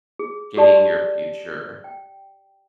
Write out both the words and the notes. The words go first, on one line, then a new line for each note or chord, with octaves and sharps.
getting your future
G#4
F#4 G4 A4 D5 A5
G5